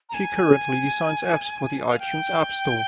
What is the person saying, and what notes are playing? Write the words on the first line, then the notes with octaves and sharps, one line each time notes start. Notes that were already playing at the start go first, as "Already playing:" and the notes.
He currently designs apps for the iTunes App Store.
A#5
G#5
F5
G5